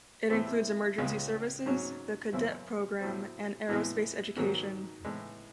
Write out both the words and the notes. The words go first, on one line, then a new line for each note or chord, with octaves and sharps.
It includes emergency services, the cadet program, and aerospace education.
A2 E3 A3 C4
C#2 C#3 G#3
G#2 F#3 C#4
F#2 C#3 E3 C4 E4
A2 F#3 C4
A2 E3 G#3
G#2 D#3 F#3
A2 E3 G#3